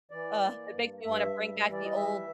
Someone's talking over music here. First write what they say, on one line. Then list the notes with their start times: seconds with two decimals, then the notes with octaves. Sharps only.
Uh, it makes me wanna bring back the old
0.11 E3 D5
0.42 A#3
0.73 G2
1.03 G2 E5
1.34 G3
1.66 E3
1.73 D5
1.84 D#5
1.96 G3 E5